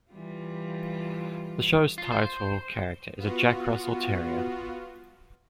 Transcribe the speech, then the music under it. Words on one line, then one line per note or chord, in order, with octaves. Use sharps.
The show's title character is a Jack Russell Terrier.
E3 G3 F4
F4
C5
B3 F4 F#4